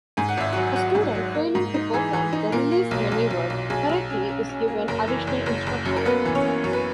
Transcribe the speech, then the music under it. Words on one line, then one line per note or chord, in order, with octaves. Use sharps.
A student failing to perform the release maneuver correctly is given additional instruction.
G#2 G#5
F#5
G#1 E5
F#4 F#5
F#3
F#3 F#4 F#5
G#2
F#3
A#3
G#2
D#4
E3 G#4
E3
D#4
A#2 A#4
A#3
B1
B1
B1
B1
B1 G#4
B1
C#4
C#4
C#4
A#3
F#1 A#4
E3
F#1
F#1
F#1
F#2
A#4
A#3 B3 B4
E3
C#4 C#5
A#3
F#2 C#5
B4